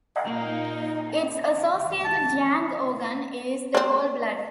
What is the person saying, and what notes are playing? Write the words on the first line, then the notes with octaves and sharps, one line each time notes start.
Its associated yang organ is the Gallbladder.
A#2 A#3 D#4
A5
C4 D4